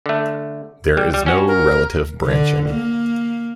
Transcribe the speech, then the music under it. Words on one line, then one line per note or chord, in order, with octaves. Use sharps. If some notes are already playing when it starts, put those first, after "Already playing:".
There is no relative branching.
D3 A3
G3
G3
C#4 F#4
A#4
D3
A#3